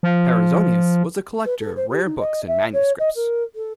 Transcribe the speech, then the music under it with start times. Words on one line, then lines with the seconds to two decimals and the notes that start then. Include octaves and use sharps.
Perizonius was a collector of rare books and manuscripts.
0.03 F3
1.45 B4
1.60 A4
1.76 C5
1.89 G4
2.05 D#4
2.19 D#5
2.47 E5
2.73 C#5
2.99 D#5
3.15 A#4
3.55 A4